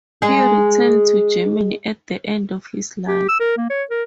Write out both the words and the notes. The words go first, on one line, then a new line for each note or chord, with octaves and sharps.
He returned to Germany at the end of his life.
G#3 G#4
G4
E6
A#4
A#3
C#5
A#4